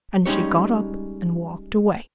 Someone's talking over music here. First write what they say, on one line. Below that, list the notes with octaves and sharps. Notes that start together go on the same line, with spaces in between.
And she got up, and walked away.
G3 G#3 C#4 D#4 G4 C#5